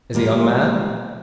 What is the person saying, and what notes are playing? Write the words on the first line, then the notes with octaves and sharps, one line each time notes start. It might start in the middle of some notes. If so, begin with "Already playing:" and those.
"As a young man?"
F3 G3 G#3 A#3